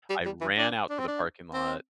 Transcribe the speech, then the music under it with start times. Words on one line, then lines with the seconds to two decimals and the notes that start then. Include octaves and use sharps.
I ran out to the parking lot.
0.10 G3
0.26 G3
0.41 E3
0.58 D4
0.90 D4
0.99 C4
1.08 D4
1.54 C4